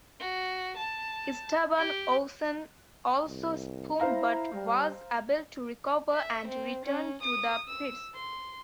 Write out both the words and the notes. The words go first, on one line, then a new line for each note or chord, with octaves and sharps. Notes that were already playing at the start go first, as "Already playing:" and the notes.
Esteban Ocon also spun but was able to recover and return to the pits.
F#4
A5
G4
C2
E4 C5 F5 A#5
G3
E5
C4
C#4
D#6
E6
C6